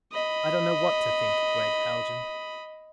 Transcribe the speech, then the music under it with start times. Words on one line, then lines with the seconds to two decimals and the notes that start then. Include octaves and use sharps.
"I don't know what to think, Gregg Haljan...."
0.11 D#5 B5